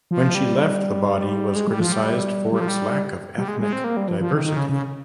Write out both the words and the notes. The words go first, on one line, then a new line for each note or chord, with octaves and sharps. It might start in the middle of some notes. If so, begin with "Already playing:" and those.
When she left the body was criticised for its lack of ethnic diversity.
F3
G3
G#3
G3
F3
G3
G3
F3
G3
G3
G#3
G#3
C4
A#3
G3
F3
F3
D#3
D#3
C#3
C#3